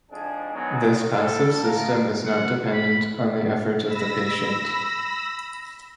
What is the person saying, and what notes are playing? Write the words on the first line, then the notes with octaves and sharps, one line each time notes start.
This "passive system" is not dependent on the effort of the patient.
F2 G#2 D4 G#4
D#3 F#3 B3 D#4 G#4
A2 G3 A4
E2 A#3 A#4
F#5
B5
B5 E6 A#6